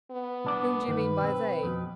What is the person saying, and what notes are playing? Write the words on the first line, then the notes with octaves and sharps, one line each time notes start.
"Whom do you mean by they?"
B3
C2 D4 D5
G2 D#3 B4
B1 C4
F2 B2